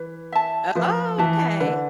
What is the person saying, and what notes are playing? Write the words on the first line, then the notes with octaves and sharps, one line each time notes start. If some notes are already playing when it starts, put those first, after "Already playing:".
Oh, okay,
Already playing: E3 B4
E5 A5
F3 B4
E3 E5 A5
D3 B4